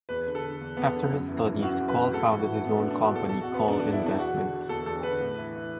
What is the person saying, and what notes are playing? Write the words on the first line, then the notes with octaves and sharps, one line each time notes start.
After his studies Kohl founded his own company "Kohl Investments".
E2 B4
D3
A4
D3
E2
E2 B3
D3
F#2
E3
E3
F#2 F#4
F#2
B4
E3
F#4
A2 A4
E3
F#4
E3
A2 B3
D4
A2
D4
E3 F#4
E2 A4
B2 A4
F#4
B2 B3
E2 D4
D4
E2
E4
B2 D4
E2 F#4
D3
D3
E2 A4
E2 A4
D3 B4
A2
E3
E3